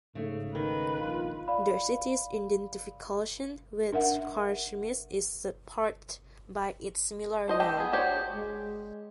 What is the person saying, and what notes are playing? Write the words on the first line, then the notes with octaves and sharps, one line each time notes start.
The city's identification with Carchemish is supported by its similar role.
G#2 C#3 A3
D#3 B4
A#1 F4
D5 F5 B5
D4 A#4 E5 F#5
D4 C5 D#5
G#3 G4 A4 G5
B3 G#4
D4 F#4 G4 C5 C#5
G#3